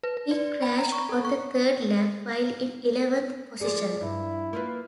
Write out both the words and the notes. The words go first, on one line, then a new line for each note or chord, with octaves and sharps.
He crashed on the third lap, while in eleventh position.
B4
B4
D5
B5
A#5
C#6
A4
C#6
F3 G#4 D5
G2 E4
A#3 F4 B4